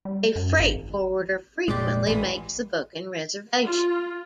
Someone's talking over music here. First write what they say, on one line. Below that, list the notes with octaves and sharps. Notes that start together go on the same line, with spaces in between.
A freight forwarder frequently makes the booking reservation.
G3
F#2
G#1
F1 A#2 G#3 G4 D5 C6
A1 E3 G#3
F4